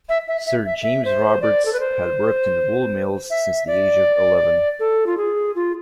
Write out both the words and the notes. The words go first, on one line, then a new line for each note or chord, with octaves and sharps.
Sir James Roberts had worked in wool mills since the age of eleven.
E5
E5
E5
E5
E5
C5
D5
A4
B4
C5
E5
D5
A4
F4
G#4
F4